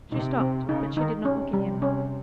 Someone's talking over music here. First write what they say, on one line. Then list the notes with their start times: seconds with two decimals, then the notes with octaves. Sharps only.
She stopped, but she did not look at him.
0.12 C3 D#4
0.40 C4
0.68 C#3 D#4
0.97 D#3 D#4
1.25 C3 C#4
1.53 G3
1.82 C#4